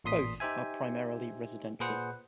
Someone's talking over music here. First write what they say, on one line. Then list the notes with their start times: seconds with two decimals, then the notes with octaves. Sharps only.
Both are primarily residential.
0.04 A1 A#2 C6 D#6 B6
0.40 D#4 G4 C5 E5 G#5
1.80 A#2 G#4 B4 C5 F#5